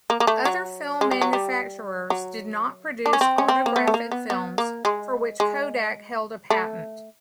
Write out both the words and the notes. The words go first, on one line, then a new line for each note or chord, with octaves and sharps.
Other film manufacturers did not produce Autographic films, for which Kodak held a patent.
A#3
A#3
A3
F#3
G#3
G3
F#3
G3
F#3
D4
C#4
C4
C#4
C4
A#3
B3
A3
A#3
B3
B3
A#3
G#3
G#3
A3